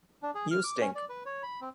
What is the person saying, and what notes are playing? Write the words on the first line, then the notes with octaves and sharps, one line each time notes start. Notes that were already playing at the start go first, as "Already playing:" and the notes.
You stink.
D4
G#4
F6
D6
C#4
D5
B4
C#5
B5
C4